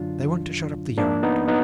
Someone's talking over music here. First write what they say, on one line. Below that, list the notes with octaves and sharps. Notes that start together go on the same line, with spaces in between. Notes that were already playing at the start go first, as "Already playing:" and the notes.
'They want to shut up the yard.'
Already playing: F#2 D3 F#3 D4 F4
G#2 F3 A#3 D4
B3 D#4
B3 D#4